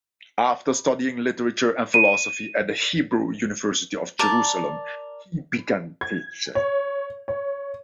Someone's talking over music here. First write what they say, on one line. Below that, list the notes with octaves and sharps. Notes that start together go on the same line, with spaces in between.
After studying literature and philosophy at the Hebrew University of Jerusalem, he began teaching.
D#7
A#4 D5 A5
G#6
C#5
C#5